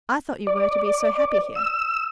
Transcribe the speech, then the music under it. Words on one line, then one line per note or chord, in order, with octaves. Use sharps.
"I thought you were to be so happy here."
D5
E6